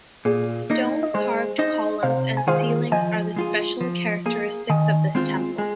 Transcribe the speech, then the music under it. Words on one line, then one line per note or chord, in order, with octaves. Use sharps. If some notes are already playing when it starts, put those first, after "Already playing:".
Stone carved columns and ceilings are the special characteristics of this temple.
A#2 G#4
A#3 D#4
D#5
G#3 G#4 C5
D#4 C5 D#5
C3 C5 F5
G#5
D#3 G#3 F4 G#4 C5 F5
F3 D#5 G#5
G#3 F4 G#4
F3
A#3 G#4
D#3 D#5 G#5
G#3 C4 F4
G#3